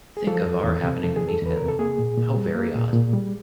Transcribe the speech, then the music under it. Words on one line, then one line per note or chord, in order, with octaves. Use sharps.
Think of our happening to meet him! — How very odd!
G#4
F3 A4
E2
E2
C3
F3 A4
G#4
E2
A4
E2 B4
C3 A#4
A4
A#3 G#4
A#2
A#2
G3
A#3
A#2
A#2
G3